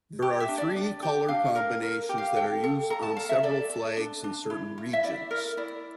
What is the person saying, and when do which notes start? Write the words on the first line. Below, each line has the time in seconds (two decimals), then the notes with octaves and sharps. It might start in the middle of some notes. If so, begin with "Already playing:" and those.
There are three colour combinations that are used on several flags in certain regions.
0.22 G4
0.40 E5
0.49 D4
0.58 D5
0.76 D4
1.03 G4
1.28 D4 F5
1.55 A#4
1.82 A#4
2.09 G4
2.18 F5
2.36 A4 G5
2.63 A4
2.90 A4 A#5
3.03 A5
3.17 A4 F5
3.29 E5
3.43 A4 D5
3.70 A4
3.97 D4
4.24 D4
4.50 E4
4.78 E4
4.93 E5
5.03 E4 D5
5.31 A#4
5.57 E4 D5